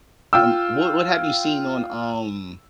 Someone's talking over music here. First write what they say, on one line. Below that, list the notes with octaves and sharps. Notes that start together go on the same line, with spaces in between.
um, what what have you seen on, um,
F4 G5 E6